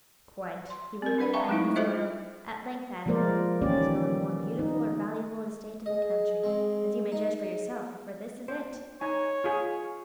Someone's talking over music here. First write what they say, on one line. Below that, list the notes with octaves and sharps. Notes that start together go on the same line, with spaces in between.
"Quite," he would reply with a smile, at length adding, "There is not a more beautiful or valuable estate in the country; as you may judge for yourself, for this is it."
C6
C4 A#4
D4 B4 D5 F#5 B5
E5 F5 G5 A5 A#5 C#6
F#3 G#3 A3 D#4 E4
F4 G#4 A4 C5 D#5 E5
F3 G#3 A#3 A#4 C5 D5
D#3 E3 A#3 C#4 G4 D5
D#4
G#4 D#5
G#3 C4
D#4
G#4
C5
D#4 C#5 G#5
F4 G#4 G#5